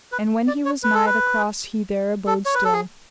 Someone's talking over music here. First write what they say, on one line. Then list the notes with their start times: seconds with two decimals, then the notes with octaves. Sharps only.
And when he was nigh the cross he there abode still.
0.12 B4
0.47 D5
0.65 C#5
0.83 B4
0.94 A4
1.06 B4
2.27 A4
2.45 C#5
2.54 B4
2.65 A4
2.74 G#4